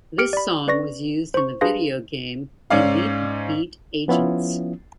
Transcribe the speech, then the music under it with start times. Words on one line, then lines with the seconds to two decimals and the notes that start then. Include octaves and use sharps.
This Song was used in the video game Elite Beat Agents.
0.18 G4 F6 C#7 D7
0.33 D5 B5
0.67 C#4 B4 D5 C#6 A#6
1.34 C5 C#6
1.61 D4 G#4 B4 F5 C6 A#6
2.70 G#2 C#4 D5 F5
4.08 F3 B3 C#4 E4 F4